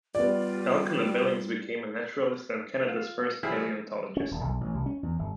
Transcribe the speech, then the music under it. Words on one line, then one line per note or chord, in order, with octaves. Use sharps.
Elkanah Billings became a naturalist and Canada's first paleontologist.
G3 B3 F4 D5
F4
F3 G3 E4 G#4
C#4
D#1
B1
A1
C2
C#4
E2
G1